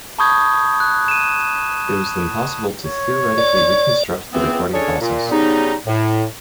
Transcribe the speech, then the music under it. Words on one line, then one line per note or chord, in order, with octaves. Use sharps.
It was then possible to theoretically reconstruct the recording process.
A5 B5 C#6 D#6 G6 G#6
F#6
D#7 E7
C#5
D5
C#2 E3 B3 C4
C#4 D4 G#4 A4 C#5
A#2
C#3 G3 B3 D#4
A2